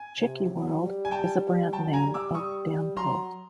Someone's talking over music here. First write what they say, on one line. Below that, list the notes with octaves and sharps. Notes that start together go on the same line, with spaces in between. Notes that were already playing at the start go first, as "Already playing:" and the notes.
Chicky World is a brand name of Danpo.
Already playing: G#5
C3
F#3
G3
G#5
G3 G5 A5
F#3 G5 A5
G#5 A#5
G3
D6 E6
G3 C#6 D#6
F#3 A#5 C6